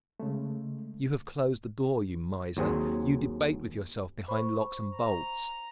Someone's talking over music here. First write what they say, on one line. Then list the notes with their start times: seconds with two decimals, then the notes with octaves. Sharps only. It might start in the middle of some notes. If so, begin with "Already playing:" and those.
You have closed the door, you miser; you debate with yourself behind locks and bolts.
0.20 C#3 G#3 A3
2.57 D#2 F#3 C4 G#4
4.28 C5 B5 C#6
4.96 A#5